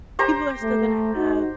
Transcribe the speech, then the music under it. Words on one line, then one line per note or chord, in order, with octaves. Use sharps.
people are still gonna have
G4 C5 A#5
A3
D#4 F#4